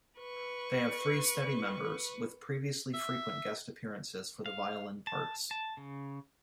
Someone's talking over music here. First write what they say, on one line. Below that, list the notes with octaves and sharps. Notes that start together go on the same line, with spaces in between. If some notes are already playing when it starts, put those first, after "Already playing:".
They have three steady members with previously frequent guest appearances for the violin parts.
B4 C#6
E5
F5
A5
A5
C#3